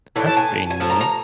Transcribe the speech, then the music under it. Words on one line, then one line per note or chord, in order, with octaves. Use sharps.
That's pretty neat
A2 E3
A5
G#5
G#5
A2 F3
A#5
A#5